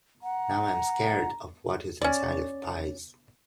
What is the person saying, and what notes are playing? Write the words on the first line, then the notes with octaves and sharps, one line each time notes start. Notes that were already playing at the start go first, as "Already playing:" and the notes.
Now, I’m scared of what is inside of pies.
F#5 A#5
C#4 D5